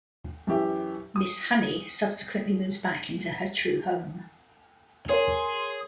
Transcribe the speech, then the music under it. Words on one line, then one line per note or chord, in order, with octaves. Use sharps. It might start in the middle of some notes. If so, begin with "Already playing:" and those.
Miss Honey subsequently moves back into her true home.
F#2 E3 G4 E5
D#6
G#4 A#4 C#5 C6